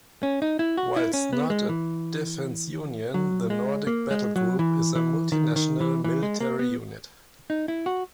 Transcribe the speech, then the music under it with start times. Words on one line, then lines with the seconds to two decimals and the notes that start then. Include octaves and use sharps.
Whilst not a defence union, the Nordic Battlegroup is a multi-national military unit.
0.23 C#4
0.42 D#4
0.59 E4
0.77 F#4
0.96 E4
1.14 C#4
1.33 B3
1.50 G#3
1.69 E3
3.14 F#3
3.50 G#3
3.87 A#3
4.11 G#3
4.36 F#3
4.59 E3
4.95 E3
5.32 D#3
5.56 D#3
5.80 E3
6.04 E3
6.23 G#3
6.41 A#3
6.59 B3
7.50 D#4
7.68 E4
7.86 F#4